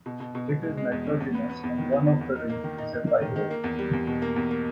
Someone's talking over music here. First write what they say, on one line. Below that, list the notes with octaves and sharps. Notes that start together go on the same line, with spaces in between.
It is nitrogenous, and one of the rings is a pyrrole.
B2
B2
B2
B2
G#3
G#3
E2
C#4
E2
B3
B3
E2
D#3
B3
E2
E2
D#4
A#3
D#3
D#4
D#4
A#3
D#3
D#3
A#3
E2
G3
E2
B2
A#3
E2
A#3